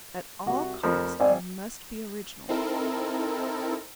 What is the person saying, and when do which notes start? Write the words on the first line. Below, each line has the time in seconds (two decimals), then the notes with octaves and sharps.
At all costs I must be original.
0.46 C2 F#4 F#5
0.83 F1 F2 F3 A#4 B5
1.20 G#1 C5 D5 F5 G#5
2.49 C4 D#4 E4 A4 A#4